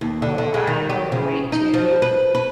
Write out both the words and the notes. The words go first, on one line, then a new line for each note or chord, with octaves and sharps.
Oh, I'm overweight too.
D#2
D3
D3
G#3
D#3
G4
C#3
D#4
F3
B4
B4